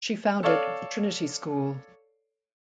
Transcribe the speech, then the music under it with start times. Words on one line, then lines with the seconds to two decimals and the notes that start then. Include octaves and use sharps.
She founded the Trinity School.
0.43 A4 C#5 D5 F5